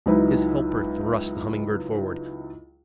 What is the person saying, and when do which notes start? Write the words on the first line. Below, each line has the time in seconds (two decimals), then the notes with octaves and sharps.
His helper thrust the Humming-Bird forward.
0.06 C#2 F#3 D#4 E4 B4